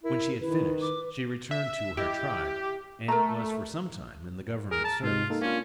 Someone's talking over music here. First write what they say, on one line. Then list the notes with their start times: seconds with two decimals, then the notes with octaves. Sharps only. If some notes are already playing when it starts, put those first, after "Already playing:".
When she had finished, she returned to her tribe, and was for some time in the Government service.
0.04 E4 A#4
0.40 D#3 E4 B4
0.81 D6
1.51 E5
1.97 E4 G4 D#5
3.08 A3 A#4 A#5
4.71 G#4 A#4
4.84 A5 A#5
5.03 G#2 C3 G#3 F4
5.30 A#3 D#4 A4
5.41 A#3 C#4 D4 F4